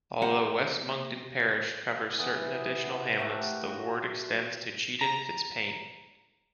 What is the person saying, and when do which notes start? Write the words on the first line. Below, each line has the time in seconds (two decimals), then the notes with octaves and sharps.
Although "West Monkton" parish covers certain additional hamlets the ward extends to Cheddon Fitzpaine.
0.22 A#3 G4 F#5
2.18 E3 B3
3.19 A3 G4 A#4 F#5
3.67 F#4
5.01 A#5